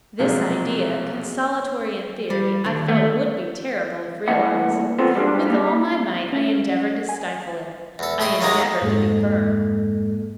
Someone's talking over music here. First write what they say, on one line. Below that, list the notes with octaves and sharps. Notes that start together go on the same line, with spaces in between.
This idea, consolatory in theory, I felt would be terrible if realised: with all my might I endeavoured to stifle it--I endeavoured to be firm.
B1 C3 F3 F#3 G#3 A#3
G3
D#2 D3
A3
E2 G2 E3 A3 A#3 F#5
B3 C4 F4 A4 C5
G3 G#3 D4
G3 A#3
C#4
G#5
E2 A4
A2 G#4 C6
D#2 D#3 F#3 G#3 A#3 D#4
F2 G#2 G#3 A#3 A4